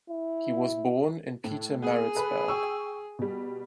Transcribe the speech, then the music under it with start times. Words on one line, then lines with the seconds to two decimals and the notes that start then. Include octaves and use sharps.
He was born in Pietermaritzburg.
0.10 E4
1.44 A2
1.82 A#3 B3 G#4
2.15 A4 B4 B5
2.48 G5 C#6 E6
3.19 B2 G3